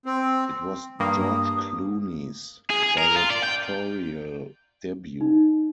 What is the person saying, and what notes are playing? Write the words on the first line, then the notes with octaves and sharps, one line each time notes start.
It was George Clooney's directorial debut.
C4
G2 A#3 D#6
G#4
G#4
A#4
F4
D5
G5
D#4